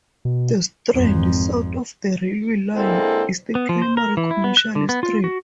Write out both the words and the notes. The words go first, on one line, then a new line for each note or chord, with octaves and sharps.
The Strand, south of the railway line, is the primary commercial strip.
B2
G#1 F2
D3 G#3 A#3 C4 E4 A4
B3
F3
C5
A#4
E3
E4
B3
F#6
D3
B3
F4
F#4